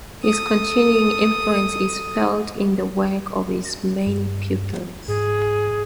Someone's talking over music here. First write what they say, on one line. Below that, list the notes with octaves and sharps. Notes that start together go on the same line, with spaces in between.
His continuing influence is felt in the work of his many pupils.
A4 D#6
G2
G#2 G#4